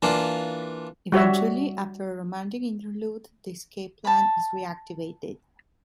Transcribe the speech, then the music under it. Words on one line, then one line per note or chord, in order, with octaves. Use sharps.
Eventually, after a romantic interlude the escape plan is reactivated.
E3 A#3 D4 F4
G3 F#4 C#5 E5
A5 B5